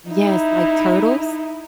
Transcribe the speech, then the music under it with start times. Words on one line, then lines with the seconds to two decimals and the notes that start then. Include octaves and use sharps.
Yes, like Turtles?
0.12 D#4 E4